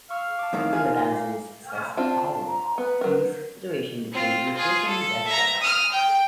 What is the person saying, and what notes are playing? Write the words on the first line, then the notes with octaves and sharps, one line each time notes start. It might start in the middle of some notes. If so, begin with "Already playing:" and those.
When the Nazis seized power, Ley's situation became increasingly desperate.
F5 C#6 E6 F6
A5 D6
F2 A2 D#3 B3 D#4 G#4
D#4 F4 G#4 A#4
A3 F5
C4 D4 F4 A5
A#5
B3 B4
F#3 A#4
C4 F4
F4 G#4
A4
E5 A#5
D#6 F6
G5